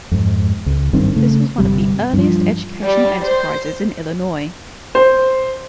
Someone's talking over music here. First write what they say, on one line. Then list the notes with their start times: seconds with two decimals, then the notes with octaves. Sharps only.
This was one of the earliest educational enterprises in Illinois.
0.12 F2 G#2
0.66 C#2
0.93 G#1 G2 D#3 C4
1.16 C#3 A3
1.58 G1 C#2 C3 G3
2.13 G2 F3
2.83 G3
3.23 C5
4.95 C5